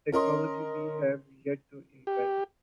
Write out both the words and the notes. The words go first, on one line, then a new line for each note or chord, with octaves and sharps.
Technology we have yet to invent.
C#4 A#4 D#5 C6
G4